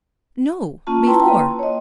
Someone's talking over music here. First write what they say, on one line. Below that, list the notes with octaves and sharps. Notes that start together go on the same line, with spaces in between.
"No, before."
A#3 C#4 F4 A5
E4 B4 G5 A5 A#5 C6
A#3
C#5 D#5